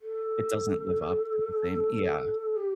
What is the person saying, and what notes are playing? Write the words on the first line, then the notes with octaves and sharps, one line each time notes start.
It doesn't live up to the same Yeah,
A4
G4